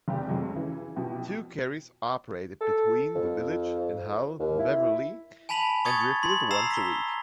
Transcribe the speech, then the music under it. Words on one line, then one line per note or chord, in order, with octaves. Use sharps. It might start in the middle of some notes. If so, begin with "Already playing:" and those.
Two carriers operated between the village and Hull, Beverley, and Driffield once a week.
F1 C4 G4
F2 F#3 G#3
C#3 E3
B2 F3 E4 F#4 G4
A4
F2
D#2
E4
G#5 A5 B5 B6 F7 F#7
C#6 D#6 G#6 A6 C#7
C6
A#5 E6 C7 F7
B6 G7